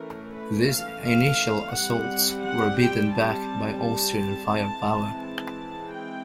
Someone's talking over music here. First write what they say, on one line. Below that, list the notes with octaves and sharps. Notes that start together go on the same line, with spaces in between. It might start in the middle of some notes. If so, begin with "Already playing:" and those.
These initial assaults were beaten back by Austrian firepower.
Already playing: E3 A3 C#4 A#4
B4
F5
F5
G3 C4 F#5
F#5
G5
A5
A5
E3 G#3 C4
A5
G5